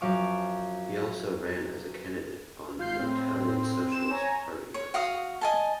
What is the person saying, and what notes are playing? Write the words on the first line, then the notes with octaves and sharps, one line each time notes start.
He also ran as a candidate on an Italian Socialist Party list.
F#2 F3 F5 C#6 D6
G#1 F4 G6 C7
A2 C4
E7
C#5 G#5 A#5
C#5
F#4 F5 F#5 D#6
D#5 G#5 A5